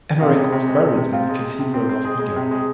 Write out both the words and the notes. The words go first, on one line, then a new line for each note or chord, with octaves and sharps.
Emeric was buried in the cathedral of Eger.
C3 F4
G#3
C3
G#3
C3
C3
C4 F4
G#3
C3
C3
C4
C4
G#3 G#4
G#3
C3
G#3